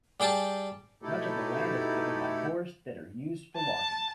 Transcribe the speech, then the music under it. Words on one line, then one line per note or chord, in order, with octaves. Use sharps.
Much of the land is covered by forests that are used for logging.
G3 G#4 G5 A5
B2 A3 D#4 E4 G4 A4
A5